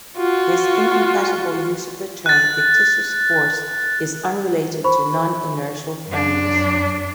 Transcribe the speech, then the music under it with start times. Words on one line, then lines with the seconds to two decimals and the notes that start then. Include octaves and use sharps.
This incompatible use of the term "fictitious force" is unrelated to non-inertial frames.
0.17 F4 F#4
2.26 F#6 A6
4.84 C5 B5 C#6
6.08 F#2 D4